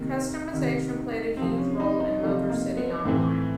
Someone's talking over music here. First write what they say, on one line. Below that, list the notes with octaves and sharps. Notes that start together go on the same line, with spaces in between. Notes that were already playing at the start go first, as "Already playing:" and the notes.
Customization played a huge role in Motor City Online.
Already playing: C3 D#3 A#3
C3 D#3
C3 F3 C4
C#4
D#4
D#4
C3 F3 A3
A#3
B3
A2 E3 C4